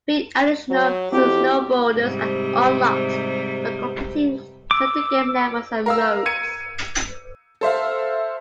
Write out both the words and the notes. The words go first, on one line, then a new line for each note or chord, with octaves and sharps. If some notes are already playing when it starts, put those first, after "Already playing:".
Three additional snowboarders are unlocked by completing certain game levels and modes.
F#3
F2 C4 E4 F#4 G4
G#2 C3 G3
D6 E6
A#4 F5 E6
G#6 C#7 D#7
A4 C5 E5 F5